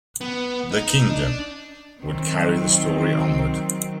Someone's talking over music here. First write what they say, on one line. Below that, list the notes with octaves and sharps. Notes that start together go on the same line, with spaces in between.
"The Kingdom" would carry the story onward.
B3
D#4
D4
D#3 F#3 C4